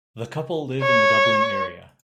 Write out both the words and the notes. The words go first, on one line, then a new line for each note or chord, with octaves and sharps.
The couple live in the Dublin area.
C#5